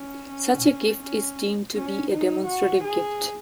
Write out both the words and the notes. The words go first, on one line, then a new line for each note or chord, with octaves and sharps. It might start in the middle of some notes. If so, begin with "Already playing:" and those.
Such a gift is deemed to be a demonstrative gift.
Already playing: C#4
C#4
C#4
C#4
D#4
F#4
G#4